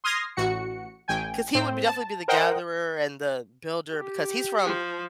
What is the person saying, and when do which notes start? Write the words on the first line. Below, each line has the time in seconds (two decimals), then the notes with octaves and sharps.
'Cause he would b definitely be the gatherer and the builder because he's from,
0.04 C6 D#6 F6 G#6 A#6 C7
0.37 A1 F#4 C#7
1.08 A1 G5 G#5
1.55 A2 C4 C5
1.86 A5
2.28 A#4 C5 D#5 F#5 G5
3.93 G4
4.65 F3